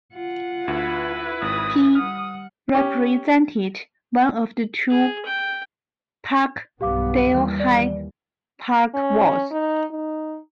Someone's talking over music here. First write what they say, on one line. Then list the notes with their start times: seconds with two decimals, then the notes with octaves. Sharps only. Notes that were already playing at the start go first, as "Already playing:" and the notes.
He represented one of the two Parkdale-High Park wards.
0.13 F4 F#5
0.68 D2 E4 B4
1.42 G#1 D#6
1.95 G3 F#5 D#6 F6
2.75 C#4 G4
4.90 G#4
5.25 G5
6.81 B1 G2 B3 G4 F5 D6
7.29 D#2 E3 G3
7.60 D5
8.94 C#4
9.51 D#4
9.91 D#4